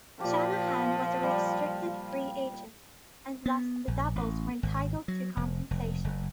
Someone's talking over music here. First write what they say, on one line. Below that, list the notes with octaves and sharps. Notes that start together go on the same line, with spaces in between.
Shanahan was a restricted free agent, and thus the Devils were entitled to compensation.
A#2 F3 G4
G3
B3
A#1
A1
G#1
F#3
F1
F1
F#1